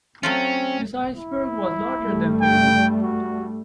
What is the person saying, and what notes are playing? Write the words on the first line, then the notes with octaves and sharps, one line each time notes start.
This iceberg was larger than Belgium.
F#3 A3 C4 C#4 F4
E4
G2 G3 A3
G5
F#4